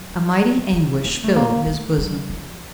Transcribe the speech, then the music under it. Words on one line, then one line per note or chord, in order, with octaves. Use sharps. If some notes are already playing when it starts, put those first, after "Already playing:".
A mighty anguish filled his bosom.
Already playing: F#3
A#3
A#3
A3
A#3
A3
F#3
F3